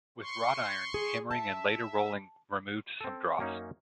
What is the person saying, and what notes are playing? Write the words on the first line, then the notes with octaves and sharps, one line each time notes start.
With wrought iron, hammering and later rolling removed some dross.
C6 C#6
G#4
E5 A5
C4 A4
F#2 A#3 C#4 D#4